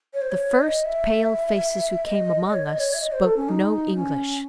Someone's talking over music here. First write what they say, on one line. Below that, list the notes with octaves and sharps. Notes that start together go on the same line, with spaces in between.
The first pale faces who came among us spoke no English.
C#5
C5
C#5
D#5
E5
D#5
C#5
D#5
C#5
E5
D#5
C5
A4
C#4
D#4
C#4